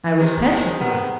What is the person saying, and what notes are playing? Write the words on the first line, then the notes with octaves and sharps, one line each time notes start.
I was petrified.
C3 D#3 G#3
C3 D#3 G#3
C3 D#3 G#3 B3